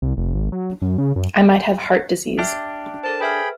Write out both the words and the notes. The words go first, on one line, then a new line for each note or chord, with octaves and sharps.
I might have heart disease.
C2
F1
G#1
F#3
F#2
C#3
F#2
D4 G4 E5 F6 C7
A4 A#4 C5 A5
G#4 B4 E5 G5 B5 F6